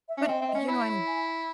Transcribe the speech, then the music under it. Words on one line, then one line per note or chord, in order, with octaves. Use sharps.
But, you know, I'm
E5
C#4
E5
C4 D#5
E5
C4
D#5
C#4 C#5
E4
G#5